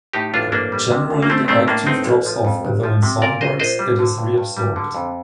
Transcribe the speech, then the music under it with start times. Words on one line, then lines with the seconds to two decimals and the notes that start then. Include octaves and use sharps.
Generally, the egg tooth drops off, though in songbirds it is reabsorbed.
0.13 A2 D#4 G4
0.34 A1 D4 F4
0.52 A1 A#3 D4
0.72 G3
0.91 C3
1.10 D2
1.22 A#3
1.30 A3 C4
1.48 D#3 A3 C4
1.67 A2 A#3 D4
1.86 A1 C4 D#4
2.06 A1
2.26 F3
2.45 F2
2.65 G1
2.83 F3
3.03 C3
3.22 A#2 A#4 D5
3.41 A#1 C5 D#5
3.60 A#1 C5 D#5
3.79 G3
3.99 D3
4.18 G2
4.38 G2
4.57 G3
4.76 D3
4.95 F2